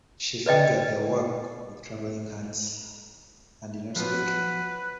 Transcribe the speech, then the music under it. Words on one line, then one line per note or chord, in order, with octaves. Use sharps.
She fingered the work with trembling hands, and did not speak.
B4 D5 D#5 G5
F3 F#3 B3 B4